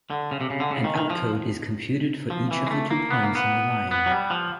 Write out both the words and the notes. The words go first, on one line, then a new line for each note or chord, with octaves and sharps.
An outcode is computed for each of the two points in the line.
D3
C#3
C3
C#3
D3
C#3
D#3
D#3
F3
F3
E3
G#3
A3
A#3
B3
A#3
B3
B3
F#3
G3
F3